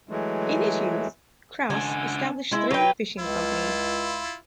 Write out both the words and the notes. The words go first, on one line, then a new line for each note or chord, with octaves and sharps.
In his youth, Crouse established three fishing companies.
E3 F#3 G#3 A3
C#2 D4 G#5
G#3 E4
B1 F#3 B4 G5
C#2 E4 F4